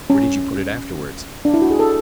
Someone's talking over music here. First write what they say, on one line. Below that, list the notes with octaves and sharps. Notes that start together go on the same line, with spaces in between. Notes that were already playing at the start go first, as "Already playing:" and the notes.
"Where did you put it afterwards?"
C#4
D4
E4
F#4
G#4
A4